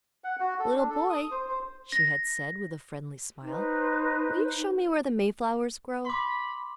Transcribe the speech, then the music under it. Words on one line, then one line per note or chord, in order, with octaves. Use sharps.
"Little boy," she had said, with a friendly smile, "will you show me where the mayflowers grow?"
F#5
F#4
A4
D4
A4
D#6
C5
C5
A#6
D#4 B4 C5
B5 C6 D6